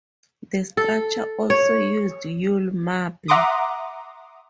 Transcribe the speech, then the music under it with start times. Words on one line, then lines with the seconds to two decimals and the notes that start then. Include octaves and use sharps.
The structure also used Yule marble.
0.77 A4
1.50 C#5
3.28 E5 F#5 A#5 C6 D6 D#6